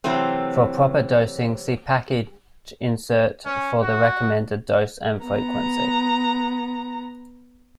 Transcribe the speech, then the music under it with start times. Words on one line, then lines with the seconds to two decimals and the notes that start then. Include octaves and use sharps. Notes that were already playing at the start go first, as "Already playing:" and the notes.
For proper dosing, see package insert for the recommended dose and frequency.
0.04 C3 E3 F#3 A3 C4
3.45 C#4
3.82 F#4
5.23 B3 A#5